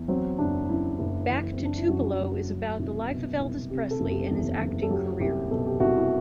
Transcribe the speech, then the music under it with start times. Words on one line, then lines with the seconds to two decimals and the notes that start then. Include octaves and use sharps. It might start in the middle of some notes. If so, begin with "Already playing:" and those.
"Back to Tupelo" is about the life of Elvis Presley and his acting career.
Already playing: E2
0.08 F#3 C4
0.38 F#1 D4
0.69 F#2 E4
0.99 F#1
1.29 E3
1.52 C4
1.59 F#1
1.65 D4
1.77 E4
1.89 F#2 F#4
2.20 F#1
2.49 F#3
2.79 C2
3.10 B2
3.40 C2
3.70 C3 G4
3.91 A4
4.00 F#1
4.10 G4
4.31 E2
4.61 F#1
4.83 A4
4.90 F#3 G4
5.20 C2 G4
5.50 B2 A4
5.66 G4
5.80 C2 F#4
5.96 E4